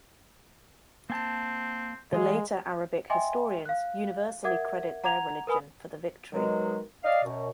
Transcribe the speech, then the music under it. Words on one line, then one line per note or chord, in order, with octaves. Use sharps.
The later Arabic historians universally credit their religion for the victory.
A#3 C4 G#5 A5
E3 G#3 G#4 F5
D#5 E5 G5 G#5 C6 D6
F5 F#6
A#4 E5 F#5 D6 G#6
F#5 A#5 D6 G#6 F7
A#4 B4 G#5 B5 D#6
B2 D#3 F#3 G#3
D5 D#5 F5
F#2 B2